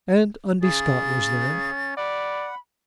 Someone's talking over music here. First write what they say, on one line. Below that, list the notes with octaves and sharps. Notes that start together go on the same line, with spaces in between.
And Undy Scott was there.
C#3 C#4 G#4 A6
D5 F#5 B5